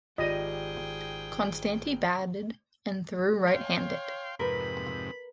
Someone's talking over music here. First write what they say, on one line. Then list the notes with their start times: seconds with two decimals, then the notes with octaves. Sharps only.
Konstanty batted and threw right-handed.
0.18 G#1 F4 G4 G#4 D5 D#5 G5 D#7
3.47 C#5 F5 G5 C6
4.39 F2 G#2 C3 A#4 B4 B5